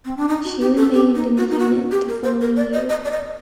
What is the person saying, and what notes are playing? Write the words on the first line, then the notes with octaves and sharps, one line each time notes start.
She remained in the unit the following year.
C4
D4
D#4
F#4
G4
A4
G4
D#4
F#4
D#4
F#4
G4
A#4
C5
A#4
D5
D#5
D#5
D5
D#5